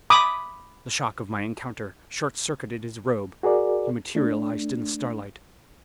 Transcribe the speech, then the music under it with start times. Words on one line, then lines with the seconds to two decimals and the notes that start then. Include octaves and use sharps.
The shock of my encounter, short-circuited his robe; he materialized in the starlight.
0.10 B5 D6 D#6
3.43 F#4 G#4 A#4 D5
4.15 A3 D4